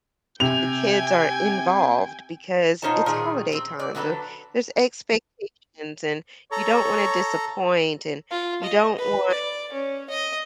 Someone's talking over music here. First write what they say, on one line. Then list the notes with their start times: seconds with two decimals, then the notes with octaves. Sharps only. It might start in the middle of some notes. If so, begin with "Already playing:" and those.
if the kids are involved because it's holiday time, the there's expectations, and you don't wanna disappoint, and you don't want
0.40 C3 G5 G#5 F7
2.82 B2 D#4 F4 C5 C#5 A5
3.06 A#2 D#3 G#4
3.52 C4
3.79 D5
3.95 D3 F#3 B3 C#4 A4 B4
6.52 A4 C#5 A#5
8.30 F4
8.63 D#5
8.98 B4
9.31 D5
9.72 C#4
10.10 D#5